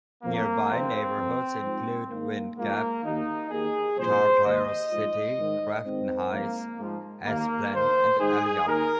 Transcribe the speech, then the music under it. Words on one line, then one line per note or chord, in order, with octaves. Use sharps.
Nearby neighborhoods include Windgap, Chartiers City, Crafton Heights, Esplen, and Elliott.
F2 F3 A#3
F2 C3 D#3 C4
F2 F3
G#2 F3
G#2 D#3 A#3
G#2 F3 A#3
D#2 D#3 D#4
D#2 D#3 G#4
C2 A#2 F3 C5
D#2 D#3 D#5
G#2 F3
G#2 D#3
G#2 D#3 C4
G#2 F3 A#3
G#2 F3
D#2 D#3 A#3
D#2 D#3 C5
G#2 D#3 G#4
D#2 D#3 A#4